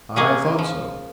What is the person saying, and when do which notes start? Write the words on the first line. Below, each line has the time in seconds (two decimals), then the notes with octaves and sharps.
'I thought so.
0.16 A#3 C#4 G#4
0.59 F3